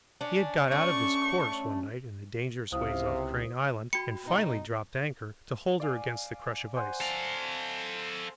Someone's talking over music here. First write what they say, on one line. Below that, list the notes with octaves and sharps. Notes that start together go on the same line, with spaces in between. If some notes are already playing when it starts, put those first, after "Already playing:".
He had got out of his course one night in the dangerous ways off Crane Island, and finally dropped anchor to hold her against the crush of ice.
C#4 D4
A3 C#4 D4 C#6
C#2 C3 E4 C5 F5 D#6
F#4 G5 B5 C#7
B2 D#4
D5 F5 G#5
C5 F#5 G#5
A4 F5